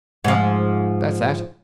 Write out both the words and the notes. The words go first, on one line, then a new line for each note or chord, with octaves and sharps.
Well, that's that.
G#2 F3